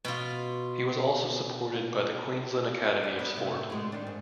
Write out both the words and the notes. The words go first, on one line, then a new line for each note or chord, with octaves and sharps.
He was also supported by the Queensland Academy of Sport.
B2 F4
D5
B3
A2 C3
A2 G#3
D#3 D4
G#2